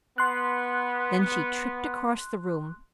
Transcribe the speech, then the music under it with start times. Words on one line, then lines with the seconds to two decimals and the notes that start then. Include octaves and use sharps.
Then she tripped across the room.
0.18 B3 C6 F#6